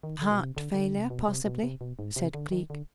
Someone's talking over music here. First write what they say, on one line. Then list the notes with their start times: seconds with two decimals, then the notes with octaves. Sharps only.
"Heart failure, possibly," said Cleek.
0.03 D#3
0.22 D3
0.31 B2
0.39 C3
0.57 D3
0.74 D3
0.97 C3
1.10 B2
1.28 C3
1.45 B2
1.63 C3
1.81 B2
1.99 G#2
2.16 C3
2.34 D3
2.52 D#3
2.70 D3